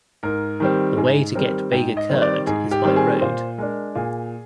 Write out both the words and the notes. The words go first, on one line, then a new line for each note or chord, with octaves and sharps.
The way to get Bega Khurd is by road.
G#2 A#4
D#3 G3 C4
G#2 G#4
D#3 G3 C4 A#4
G#2 G5
D#5
D#3 G3 C4
D5
G#2 G#4
G4
D#3 G3 C4
G#4
A#2 C5
G#3 D4 A#4
A#2 G#4